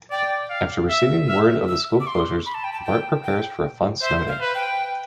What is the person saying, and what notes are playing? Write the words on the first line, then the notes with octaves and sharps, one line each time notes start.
After receiving word of the school closures, Bart prepares for a fun snow day.
D5 G5
F5
E5 E6
E5 F6
E6
D6
C6
B5
A5
G5
A5
G5
G5
C5 E5
F5
B4
G5